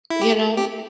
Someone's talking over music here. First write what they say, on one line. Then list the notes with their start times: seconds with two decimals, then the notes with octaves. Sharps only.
you know?
0.10 E4
0.21 G4
0.57 G4